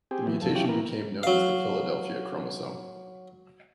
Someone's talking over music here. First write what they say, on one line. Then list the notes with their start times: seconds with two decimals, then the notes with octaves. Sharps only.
The mutation became known as the Philadelphia chromosome.
0.11 C4 G4 G#4
0.27 E3 F#3 B3
0.42 F#2 F3 A4
0.55 E3 F#3 C#4 F4 G4
0.69 E3 B3 A#4
1.23 F#3 F5